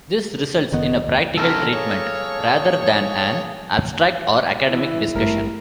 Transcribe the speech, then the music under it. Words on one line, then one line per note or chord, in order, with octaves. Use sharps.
This results in a practical treatment rather than an abstract or academic discussion.
F#1 D#3 B3 D#5
D2
F#2 C3 A4 A#4 G#5
A#3 G#4 C#5 A5
E3 E4
G#1 G2 A3 A#4